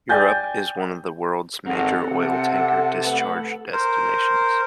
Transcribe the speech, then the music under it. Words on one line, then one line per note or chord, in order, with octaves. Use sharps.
Europe is one of the world's major oil tanker discharge destinations.
D5 G5 G#5 G6 A6
G#1 C4 A4 A#4 F#5
C3
A3 B4
A#4 C5